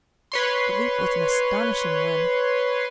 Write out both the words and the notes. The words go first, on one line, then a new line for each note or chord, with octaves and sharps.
The leap was an astonishing one.
B4 C#5 C6